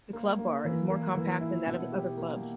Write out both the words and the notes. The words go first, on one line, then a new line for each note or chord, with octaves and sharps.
The Club bar is more compact than that of other clubs.
A#3
A#3
E3
A#3
E3
E4
B2
G4
A#3